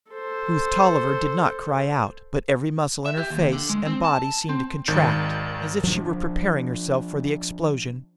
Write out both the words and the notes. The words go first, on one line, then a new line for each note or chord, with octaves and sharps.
Ruth Tolliver did not cry out, but every muscle in her face and body seemed to contract, as if she were preparing herself for the explosion.
A4 C5
E5
G4
D#2
D3
G#3
C4
A5
C4
G#1 D#3 G6
F3 D4